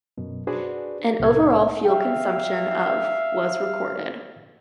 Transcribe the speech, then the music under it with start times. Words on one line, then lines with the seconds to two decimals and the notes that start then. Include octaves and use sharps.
An "overall" fuel consumption of was recorded.
0.18 F#2 B2
0.47 D4 F#4 G#4 B4 C5 D5
1.20 C2 A2 F#5 G#6
1.85 E5 F5 G5